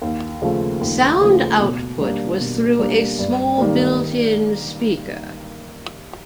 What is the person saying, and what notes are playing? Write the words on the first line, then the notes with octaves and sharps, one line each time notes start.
Sound output was through a small built-in speaker.
D#2
C#3 F3 A3
D#2
C#3 F3 A3
B2
G3 A#3 D4
B2
G3 A#3 D4
G2
D#3 G3 A#3